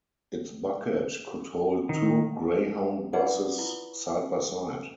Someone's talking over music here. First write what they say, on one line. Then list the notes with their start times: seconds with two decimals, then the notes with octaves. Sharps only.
Its bucket could hold two Greyhound buses side by side.
1.89 D#3
3.13 D#4 F4 G#4 B4 D5 F#5
3.58 E4 F4